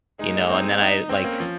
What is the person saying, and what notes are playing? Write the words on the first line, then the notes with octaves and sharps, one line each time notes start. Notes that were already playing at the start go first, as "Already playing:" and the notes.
you know, and then I, like
G#3 D#4
A#3
G#3
C4 D#4
D#4
C4 C#4
A#3
F3